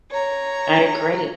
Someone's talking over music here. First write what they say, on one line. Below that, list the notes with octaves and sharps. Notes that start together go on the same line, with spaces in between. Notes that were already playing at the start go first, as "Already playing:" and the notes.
I agree.
C#5 A#5